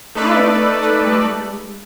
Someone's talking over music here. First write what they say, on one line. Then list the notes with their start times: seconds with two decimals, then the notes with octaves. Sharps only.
"Kadok!" she cried eagerly.
0.15 A3 D#4 A4 B4 D5